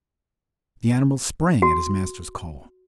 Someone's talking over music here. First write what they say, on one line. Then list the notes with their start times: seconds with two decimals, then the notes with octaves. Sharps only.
The animal sprang at his master's call.
1.62 F#4